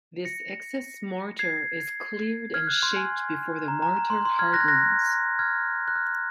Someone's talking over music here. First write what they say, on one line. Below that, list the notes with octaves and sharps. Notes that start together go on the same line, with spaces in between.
This excess mortar is cleared and shaped before the mortar hardens.
A#6 C#7
G#6 C7
F6 G#6
F#6
C6
G#5
A#5
A#5
A#5
C6
C6
F6 G#6
F#6 A#6
G#6
F#6 A#6
F6 G#6
F#6
F6